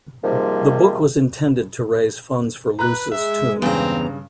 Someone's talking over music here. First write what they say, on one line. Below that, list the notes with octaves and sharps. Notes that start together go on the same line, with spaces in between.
The book was intended to raise funds for Loos's tomb.
G#2 C3 D#3 F3 G3 A#3
B4 A#5 F#6
G#3 E5
E2 G2 C#3 C4 A#5